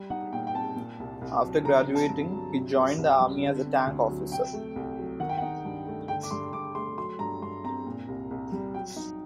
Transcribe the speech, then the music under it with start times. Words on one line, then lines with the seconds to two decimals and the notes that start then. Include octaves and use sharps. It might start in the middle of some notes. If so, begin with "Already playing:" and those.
After graduating, he joined the Army as a tank officer.
Already playing: G3
0.10 D#4 F#5
0.33 A#2 G5
0.47 G5
0.54 C4 A5
0.76 A#2
1.00 C2
1.21 C2
1.44 F#3
1.65 D3 A#5
1.87 C4
1.95 A5
2.09 G2
2.31 F#3
2.54 C3
2.76 C2
2.98 C2
3.20 G3
3.43 D3
3.66 C4
3.87 D2
4.09 F#3
4.32 C3 G5
4.53 A3
4.76 C2
4.99 F#3
5.20 D#3 F#5
5.29 G5
5.38 D#4 F#5
5.65 G2
5.87 A3
6.08 D3 G5
6.23 D6
6.31 G2 C6
6.53 G2 D6
6.75 A3 C6
6.98 F#3 C6
7.19 G2 A#5
7.42 G2 C6
7.64 C4 A#5
7.87 A#2
8.08 C2
8.31 C2
8.52 G3
8.74 F#3 G5
8.96 D#4